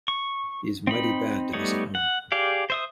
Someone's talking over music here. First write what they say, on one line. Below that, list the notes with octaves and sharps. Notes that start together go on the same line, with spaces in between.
He's mighty bad to visit home.
C#6
C4 D#4 B5
G3 A3 B3 D#4 C#5
F#5
G4 G#4 D5 F5
C5 E5 D#6